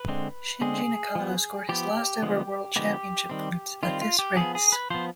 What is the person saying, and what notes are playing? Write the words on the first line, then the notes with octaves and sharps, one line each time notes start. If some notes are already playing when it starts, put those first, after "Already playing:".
Shinji Nakano scored his last ever world championship points at this race.
Already playing: B4
D3 G#3 C4
D3 G#3 C4 G#4
F3 B3
F3 B3 G4
D3 F3 G#3 B3
D3 F3 G#3 B3 G4
D#3 G3 C4
D#3 G3 C4 F4
F4
G4
F3 B3 G#4
G#4
B4
F3 B3 C5